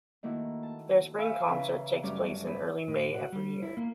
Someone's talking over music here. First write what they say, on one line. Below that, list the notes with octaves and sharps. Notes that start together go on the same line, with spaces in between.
Their spring concert takes place in early May every year.
D#3 A3 A#3 E4 F#4
A5
E5 F5 G#5 B5 C#6
C#3 E3 A#4 B4
F#2 G3 A3 C#4 A5 D6
B4
A2
F#4
G3
E4
A#3